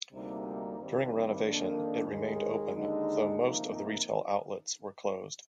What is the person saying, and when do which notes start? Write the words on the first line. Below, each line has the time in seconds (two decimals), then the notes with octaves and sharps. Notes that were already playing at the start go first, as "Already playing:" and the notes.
During the renovation, it remained open though most of the retail outlets were closed.
0.13 D2 C3 G3 A#3 D#4
0.79 G2 D#3 G3 C4
1.44 F2 D#3 A#3 D4
2.09 D#2 D#3 G#3
2.74 D#2 D3 G#3 D#4
3.39 C3 F3 A#3 D#4